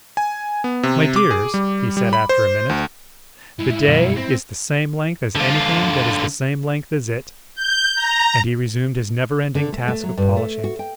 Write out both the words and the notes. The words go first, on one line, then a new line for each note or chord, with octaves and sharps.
"My dears," he said after a minute, "the day is the same length as anything that is the same length as it." And he resumed his never-ending task of polishing.
G#5
B3
C3
D6
G#4
G3
G3
B5
C5
D2
G2 G#3 E4
F#2 B2 F5 C#7
C4 A#6
D3 F4
G6
A#5
D3
A3
A3
F#3
G2
A3
F#4
G5